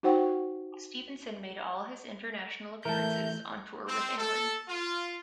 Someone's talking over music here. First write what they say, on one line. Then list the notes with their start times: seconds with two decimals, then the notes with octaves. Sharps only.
Stevenson made all his international appearances on tour with England.
0.03 D#4 F#4 C5 F#5 G5 C#6
2.85 E3 A3 A#4 E5 A5 G6
3.87 C4
4.18 A4
4.68 F4